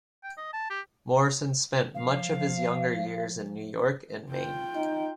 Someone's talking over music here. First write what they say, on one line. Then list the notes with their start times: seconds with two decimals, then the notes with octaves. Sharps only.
Morison spent much of his younger years in New York and Maine.
0.23 G5
0.38 D#5
0.53 A5
0.70 G4
1.95 F3 F5
4.32 F4 G5
4.76 D#4